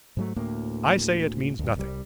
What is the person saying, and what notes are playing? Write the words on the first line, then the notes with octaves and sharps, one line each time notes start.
'I say it means nothing.
G#2 F#3 A3
D2 A2 A#3
D2 G2
C2 G3